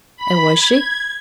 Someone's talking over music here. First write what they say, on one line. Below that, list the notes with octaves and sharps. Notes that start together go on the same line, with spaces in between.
"And was she?"
B5
G#6